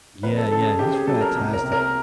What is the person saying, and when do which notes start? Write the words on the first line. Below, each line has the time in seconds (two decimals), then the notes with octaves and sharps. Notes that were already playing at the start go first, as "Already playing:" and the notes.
Yeah, yeah, he's fantastic.
0.23 F2 B4
0.37 A4
0.51 C#3 A4
0.65 G#4
0.79 C#3 G4
0.94 G#4
1.07 F#3 A4
1.21 A#4
1.35 C2
1.53 A#4
1.63 C3
1.72 A#4